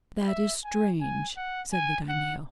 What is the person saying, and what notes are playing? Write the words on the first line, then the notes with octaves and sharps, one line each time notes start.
"That is strange!" said the Daimio.
E5
G#5
G#5
F#5
G#5
F#5